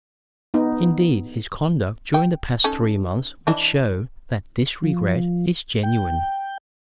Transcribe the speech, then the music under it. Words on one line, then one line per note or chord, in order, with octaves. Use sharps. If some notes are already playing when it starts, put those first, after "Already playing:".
Indeed, his conduct during the past three months would show that this regret is genuine.
B3 D#4
G5
C#4 D#4 A4
E3 D4 D#4
F3
G5